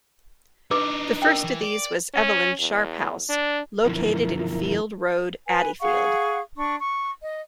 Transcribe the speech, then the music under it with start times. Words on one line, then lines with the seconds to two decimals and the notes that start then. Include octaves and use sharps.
The first of these was Evelyn Sharp House, located in Field Road, Adeyfield.
0.71 D4 D#4 B4 D6
1.22 A#4 G5
1.43 E3
1.61 D5
2.14 C#4
2.60 E2
3.29 D4
3.86 F#2 B2 D3 F3 E4 A#4
5.48 B4 G#5
5.80 G#4 F5 F#5 C#6
6.57 D4 C#6
6.79 C#6
7.21 D#5